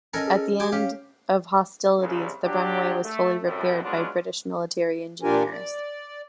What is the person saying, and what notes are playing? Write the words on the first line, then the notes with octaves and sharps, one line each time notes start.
At the end of hostilities the runway was fully repaired by British military engineers.
C#4 A4 A#4 D#5 G#5
G#4
G3 G5 G#5 D6
C#4 G4 F5
C2 C#3
F#3 D4 F4 G4
A3
C2 F#2 A2
F#3 G#3 B3 C#4 D4 F4
A#2 D4 F4 G4 A#4 G#5
D5